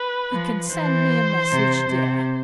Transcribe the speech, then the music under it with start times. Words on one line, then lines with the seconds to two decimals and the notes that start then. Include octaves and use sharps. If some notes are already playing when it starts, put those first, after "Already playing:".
He can send me a message there.
Already playing: B4
0.32 F3
0.72 E3 C5
1.50 C3
1.90 C3